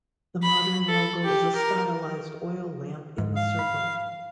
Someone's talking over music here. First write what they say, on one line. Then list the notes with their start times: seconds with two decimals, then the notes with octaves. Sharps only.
The modern logo is a stylised oil lamp in a circle.
0.42 B5
0.88 A4
1.24 G4
1.55 A#4
3.18 G#2
3.36 F5
3.59 B5